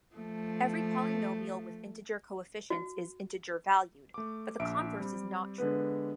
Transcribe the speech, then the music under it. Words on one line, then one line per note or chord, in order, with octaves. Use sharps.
Every polynomial with integer coefficients is integer-valued, but the converse is not true.
F3 A3
F#4
A3 D6
A#1 E5 D7
G3 C4
D3 G#3 B3 B4